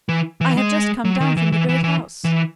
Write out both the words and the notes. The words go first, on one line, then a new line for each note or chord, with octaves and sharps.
"I have just come down from the Great House."
E3
E3
G#3
F#3
D#3
E3
E3
E3
E3
E3